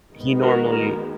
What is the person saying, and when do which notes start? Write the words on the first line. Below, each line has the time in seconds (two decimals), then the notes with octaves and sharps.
he normally
0.12 D#3 G#3 B3
0.41 F#4 A#4
0.70 F#4 A#4